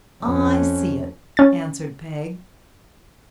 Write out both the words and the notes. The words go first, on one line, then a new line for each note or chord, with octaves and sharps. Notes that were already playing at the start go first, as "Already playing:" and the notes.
'I see it,' answered Peg.
F2 C#4
C#4 A6